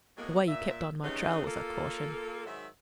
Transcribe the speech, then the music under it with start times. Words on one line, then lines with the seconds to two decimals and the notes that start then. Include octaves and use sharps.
"The way you kept on my trail was a caution."
0.17 A2 F#3 G#3 A#3 B3
0.48 A#2 E5
1.03 C3 A3 B3 C#4 D#4 G#4
1.45 A#3 F4 A4
2.45 G#2 D#3 F#3 E5